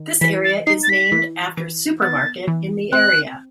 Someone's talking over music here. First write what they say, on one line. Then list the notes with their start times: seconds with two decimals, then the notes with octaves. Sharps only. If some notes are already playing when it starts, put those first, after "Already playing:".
This area is named after Supermarket in the area.
Already playing: D#3
0.21 E3 B6
0.44 A6
0.67 D#4 C7
0.83 A6
0.89 B6
1.12 E3
1.57 E3
2.02 B3 A6
2.47 E3
2.92 C4 F#6